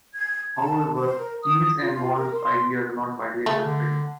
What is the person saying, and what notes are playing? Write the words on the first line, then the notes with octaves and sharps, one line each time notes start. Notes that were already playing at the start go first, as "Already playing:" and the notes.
However, Keys and Wohletz' ideas are not widely accepted now.
G#6
A5
C5
A#4
D#6
F4
A#4
C6
C#3 A3
D3